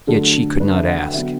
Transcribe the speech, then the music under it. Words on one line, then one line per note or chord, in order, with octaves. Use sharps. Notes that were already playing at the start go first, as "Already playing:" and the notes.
Yet she could not ask.
D3 F#3 A3 A4
B4
E5
F#5
G5
D3 F#3 B3 E5